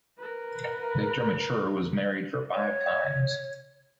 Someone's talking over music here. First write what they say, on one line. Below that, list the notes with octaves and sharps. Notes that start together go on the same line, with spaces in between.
Victor Mature was married for five times.
A#4 B4
C#5